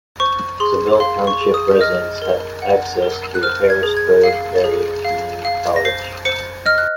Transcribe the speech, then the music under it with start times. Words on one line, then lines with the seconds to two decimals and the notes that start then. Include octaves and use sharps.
Saville Township residents have access to Harrisburg Area Community College.
0.20 C5 C#6
0.60 G#4 C6
1.00 F5 C6
1.27 C#6
1.41 G#4
1.54 D#6
1.81 D#5 F6
2.22 A#4
2.62 F#5
3.02 A#4
3.35 F#6
3.43 C5 F6
3.70 G#6
3.83 G#4
3.97 G#6
4.23 F5 C7
4.64 G#4
5.05 F5
5.45 F5
5.76 A#6
5.85 C5 C7
6.25 C5 C#7
6.66 D#5 F6
6.78 F#6